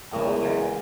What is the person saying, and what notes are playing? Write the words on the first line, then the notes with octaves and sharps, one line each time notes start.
Oh, okay.
E2 C#3 G#3 A#3